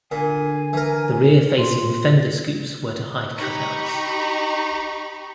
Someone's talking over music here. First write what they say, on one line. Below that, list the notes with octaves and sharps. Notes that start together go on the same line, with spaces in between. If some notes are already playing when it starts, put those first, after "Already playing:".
The rear-facing fender scoops were to hide cutouts.
A#2 D3 G#5
E3 A#4
A#2 C6
D#4 G4 A#5 B5 C#6